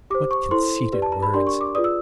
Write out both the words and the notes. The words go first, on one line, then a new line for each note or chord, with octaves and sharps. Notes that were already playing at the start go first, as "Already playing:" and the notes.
What conceited words!
G4 C5 D6
C#6
E4 A4 C5 C6
G4 B4 D5
A5
A#5
B5
D4 G4 A#4 D5 C6
C#6
D6
F4 G#4 B4 D5 D#6
E6